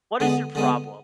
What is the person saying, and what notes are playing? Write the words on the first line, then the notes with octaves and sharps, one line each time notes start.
"What is your problem?
D3 G#3 B3
D3 G#3 B3